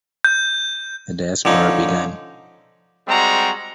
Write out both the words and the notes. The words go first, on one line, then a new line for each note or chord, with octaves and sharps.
The diaspora began.
G6
D3 F3 C#4 D#4
G3 G#3 C4 F#4 A#5